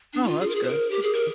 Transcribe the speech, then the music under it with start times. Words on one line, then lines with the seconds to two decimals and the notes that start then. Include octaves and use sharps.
Oh, that's good, that's good.
0.13 D4
0.23 D#4
0.28 F4
0.41 G#4
0.49 A#4
0.55 G#4
0.63 C5
0.69 A#4
0.90 G4
1.02 G#4
1.13 A#4